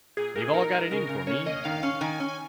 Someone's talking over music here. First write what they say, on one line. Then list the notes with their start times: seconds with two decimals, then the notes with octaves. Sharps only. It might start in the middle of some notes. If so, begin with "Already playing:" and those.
They've all got it in for me!
0.17 A#2 G#4
0.35 A#2 A#4
0.42 G#4
0.53 D#4 A#4
0.72 G#3
0.91 C#3 A#4
1.09 C#3
1.27 C#4 C#5
1.46 A#3 D#5
1.64 D#3 F5
1.83 C#4
2.01 D#3 G#5
2.20 C#4
2.28 G#5